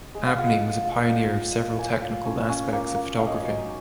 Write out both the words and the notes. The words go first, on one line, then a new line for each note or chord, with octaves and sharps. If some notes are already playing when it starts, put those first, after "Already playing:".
Abney was a pioneer of several technical aspects of photography.
Already playing: D#4
G#3
F5
F4 F#5
F4
F4
F4
F4
A#3
A#3 G#5
F4
C#4
C#4
A#3
A#3
D#4 F5
D#5
C#5
F#3 D#5
D#4